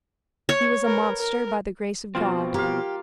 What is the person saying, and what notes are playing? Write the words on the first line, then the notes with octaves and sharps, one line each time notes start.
He was a monster by the grace of God.
C#5
A#4 B4
A#4
B2 F3 C4 F4
A#3 G4 F5